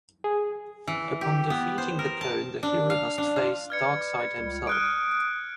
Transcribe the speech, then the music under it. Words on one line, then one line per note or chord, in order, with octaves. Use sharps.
Upon defeating the clone, the hero must face Darkseid himself.
G#4
E3
G4
B3
C5
A#4
A5
D4
F5
D4
F4
B4 D5 F6 G#6 C#7
C#2 G3
D#6 F6 F#6 D7